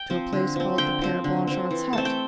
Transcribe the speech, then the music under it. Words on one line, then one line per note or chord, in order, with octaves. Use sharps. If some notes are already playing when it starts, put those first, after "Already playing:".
"To a place called the Pere Blanchard's hut?"
Already playing: G5
F3 C4
D3
F3 C4
D3 G5
F3 C4
D3
F3 C4
E3
A3 C4 A5
G5